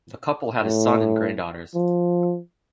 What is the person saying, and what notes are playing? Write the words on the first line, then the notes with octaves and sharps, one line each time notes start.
The couple had a son and granddaughters.
A2
F3